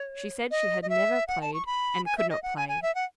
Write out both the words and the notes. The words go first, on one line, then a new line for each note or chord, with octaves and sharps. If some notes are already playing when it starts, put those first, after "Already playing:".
She said she had never played, and could not play.
Already playing: C#5
D#5
D#5
E5
F#5
A5
C#6
B5
G#5
E5
D#5
F#5
G#5
G#5
E5
F#5